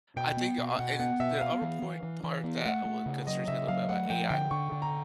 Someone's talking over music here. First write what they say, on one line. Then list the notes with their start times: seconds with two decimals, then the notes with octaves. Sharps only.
I think, uh, it d and the other point part that wha concerns me a little bit about AI
0.16 B2 G5
0.37 B3
0.58 B2
0.79 B2 F#5
0.99 B3 F#5
1.20 B2 E5
1.41 B3 F5
1.62 E3
1.82 E3
2.03 E3
2.23 E3
2.44 B3
2.65 A3 F#5
2.85 A3
3.06 C#3
3.27 F#3 D#5
3.48 C#3 E5
3.68 F#3 F5
3.89 A3 F#5
4.10 F3 G5
4.30 D3 G5
4.51 D3 C#6
4.72 D3
4.82 A#5